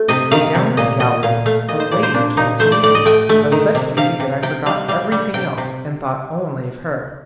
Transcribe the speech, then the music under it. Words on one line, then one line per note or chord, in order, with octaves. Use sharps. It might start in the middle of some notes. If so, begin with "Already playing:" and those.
Down this gallery a lady came to meet me, of such beauty that I forgot everything else, and thought only of her.
Already playing: A3
C3 D#5
D#3 F5
C3
A#2 D#5
A#2 D#5
A#2 F5
A3 F5
A#2 D#5
C5
A#2 D5
C5
A#2 D4
A#2 D#4
A3 C5
D5
A2 D5
D#5
A3 G5
A3
D#3
C3
C3 F5
C3
C3 G5
G3 F5
G3 F5
G3
C3 G5
C3